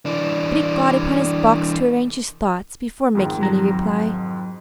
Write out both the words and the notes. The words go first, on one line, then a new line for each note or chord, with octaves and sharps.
But he got upon his box to arrange his thoughts before making any reply.
E3 D4
F2 G#2 D#3
F#3 A#5